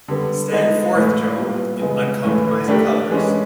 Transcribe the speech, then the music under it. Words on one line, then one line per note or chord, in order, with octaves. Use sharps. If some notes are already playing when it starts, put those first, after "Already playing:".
Stand forth, Jo, in uncompromising colours!
D3 G3 B3
G#3 B3 D#4
A2 E3 A3
A#2 G3 B3
C#3 E3 G#3 B3
A2 E3 A3
A3 D4 G4 A#4
E3 G#3 C#4